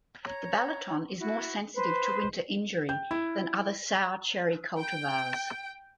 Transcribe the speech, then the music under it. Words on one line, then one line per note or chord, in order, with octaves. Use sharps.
The Balaton is more sensitive to winter injury than other sour cherry cultivars.
C#5 A#5
E4 F#4
B4 C5
G5 G6
E4
G5